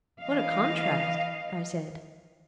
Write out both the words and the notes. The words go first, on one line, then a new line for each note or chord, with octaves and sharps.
"What a contrast!" I said.
E3 D#5 F5